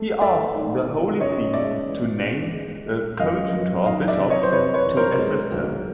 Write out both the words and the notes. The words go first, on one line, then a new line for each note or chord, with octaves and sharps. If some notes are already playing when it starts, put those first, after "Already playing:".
He asked the Holy See to name a coadjutor bishop to assist him.
Already playing: A3
A3 D5 E5
D#3
D#3
C#3 C#5 D#5
G#3 D5 E5
E3
G#3
G#3
G#3
F#2 D#5 F5
F#2
D#3 D#5 F5
D5 E5
C3
C#5 D#5
C5
C3 B4 C#5
B4 C#5
E3
A#4 C5
G#3
B1